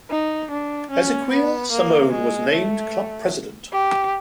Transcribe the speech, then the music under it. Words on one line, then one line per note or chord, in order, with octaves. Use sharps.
Ezequiel Simone was named club president.
D#4
D4
C#4
B3
A#3
G#3
A3
G4